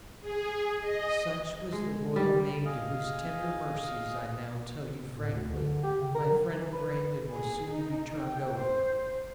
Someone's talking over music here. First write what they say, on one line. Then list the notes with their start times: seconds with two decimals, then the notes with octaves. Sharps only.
Such was the royal maid to whose tender mercies, I now tell you frankly, my friend Brandon was soon to be turned over.
0.21 G#4
0.80 D#5
1.72 G#3
2.16 G3
2.65 G#4 D#5 F5
5.15 A2
5.32 D2
5.51 D3
5.83 G4
6.00 C#3
6.15 A#4
6.31 F#3
6.58 E3
6.73 B4
7.31 G#4
7.71 D#4
8.22 G5
8.58 C5